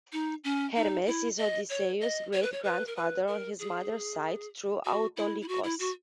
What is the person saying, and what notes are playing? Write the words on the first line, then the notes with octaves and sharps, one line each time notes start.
Hermes is Odysseus's great grandfather on his mother's side, through Autolycos.
D#4
C#4
D#4
E4
D#5
C#5
D#5
C#5
B4
C#5
B4
A#4
B4
A#4
G#4
F#4
E4
E4
F#4
E4
F#4